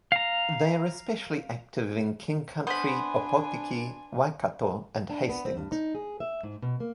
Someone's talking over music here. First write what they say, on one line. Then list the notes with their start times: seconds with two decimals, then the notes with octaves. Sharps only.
They are especially active in King Country, Opotiki, Waikato and Hastings.
0.12 F5 A#5
2.67 B3 D4 C5 G#5 B5
5.10 D4
5.29 B3
5.45 C4
5.57 G2
5.72 D#4
5.95 G#4
6.20 E5
6.43 G#2
6.62 B2
6.80 A#3